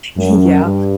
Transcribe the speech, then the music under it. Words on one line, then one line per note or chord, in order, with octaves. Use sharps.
Y yeah,
F#2
G2